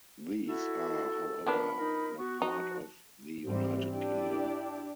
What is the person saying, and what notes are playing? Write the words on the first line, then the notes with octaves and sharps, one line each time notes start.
These are however not part of the United Kingdom.
E4 F#4 A4
F3 B3 D4 A#4 B5
D#4 A#4
B3 F#4 C#6
F3 D#4 F#4
G#2 E3 G3 C4
D4 E4 G4 D5